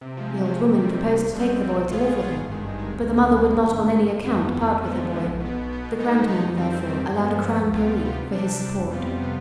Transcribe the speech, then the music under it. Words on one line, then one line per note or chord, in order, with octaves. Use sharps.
The old woman proposed to take the boy to live with her, but the mother would not on any account part with her boy; the grandmother, therefore, allowed a crown per week for his support.
C3
F3 G#3
C3
F3 G#3
C3
D#3 G3
C3
D#3 G3
B1
B2 G3 C4
B1
B2 G3 C4
B1
B2 B3 F4 G#4
B1
B2 B3 F4 G#4
G#1
G2 D#3 G#3
G#1
G2 D#3 G#3
D2
D3 G#3
D2
D3 G#3
G#1
G2 D3
G#1
G2 D3
G1
F2 D#3 B3
G1
F2 D#3 B3
F2
D3 F3 G#3 B3
F2
D3 F3 G#3 B3
B1
B2 B3
B1
B2 B3
B2
G#3 B3 D#4
B2
G#3 B3 D#4
F2
D#3 G3 C4
F2
D#3 G3 C4
G2
F3 B3
G2
F3 B3
D2
C3 G3 B3 F4
D2
C3 G3 B3 F4
C3
G3 D4
C3
G3 D4
F2
C3 G3 B3 F4
F2
C3 G3 B3 F4